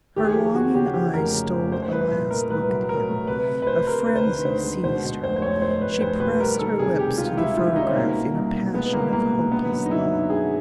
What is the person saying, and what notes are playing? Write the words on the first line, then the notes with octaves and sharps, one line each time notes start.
Her longing eyes stole a last look at him--a frenzy seized her--she pressed her lips to the photograph in a passion of hopeless love.
D#2 G4
G#4
F3 G4
D#2 F#4
C#3 G4
F3 G4
F1 A#4
C#3
F1
A3 C5
C5
C2 B4
A#2
A3 A#4
C2 B4
F#3
F#3 A#4
A3
C3 B4
C3
B4
C3 C5
C3 A#4
D2 B4
C5
D#3 B4
D2 C5
G#3
B2 C5
B2
F1 C5
C5
F1 C#5
F1 C5
F1 B4
F1 C5
B2 B4
G3 A#4
D#3 A4
C3 G#4
C3 G4
C#2 F4
G3 E4
D#3 F4
E4
G3 D#4
C#4
C4
B2 A#3
C2
C2
B2
G#3 B3
C2 A#3
C2 A#3
B2
D3 B3
F#2
D#4
F#3 E4
D3
D3 G#4